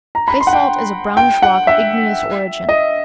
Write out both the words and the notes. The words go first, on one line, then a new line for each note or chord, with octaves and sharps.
Basalt is a brownish rock of igneous origin.
A#5
B5
C6
F#5
G5
G5
F#5
E5
D#5